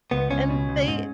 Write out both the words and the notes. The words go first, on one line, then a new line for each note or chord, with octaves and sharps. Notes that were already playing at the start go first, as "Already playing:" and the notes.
and they
C#2 B3
C#2 C#4
B2
C#2
G#2